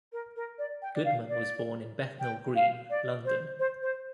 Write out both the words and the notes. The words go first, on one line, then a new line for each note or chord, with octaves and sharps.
Goodman was born in Bethnal Green, London.
A#4
A#4
D5
G5
D5
F5
D5
G5
F5
D5
C5
C5
C5